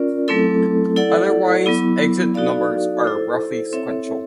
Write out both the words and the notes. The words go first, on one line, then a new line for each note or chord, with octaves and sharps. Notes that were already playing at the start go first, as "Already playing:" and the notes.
Otherwise, exit numbers are roughly sequential.
Already playing: C#4 F4 A#4 D5
F#3 A3 C4 E4 A4
E4 A4 D5 F#5
F#3 B3 E4
D#4 F#4 A4 D5 F5
E4 A4 C5
C4 E4 A4 C#5 E5